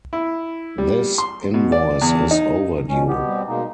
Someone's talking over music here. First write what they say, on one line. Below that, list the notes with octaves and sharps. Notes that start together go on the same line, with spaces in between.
This invoice is overdue.
E4
G3
C6
B2
D5
E2
D#4
E2 B2 C#4
B2 B3 G4
G3 C4
B2 G#3 A#3 D#4